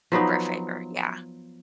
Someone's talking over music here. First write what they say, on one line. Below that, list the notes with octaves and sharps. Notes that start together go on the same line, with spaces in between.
For a favor, yeah.
F3 F#3 B3 D#4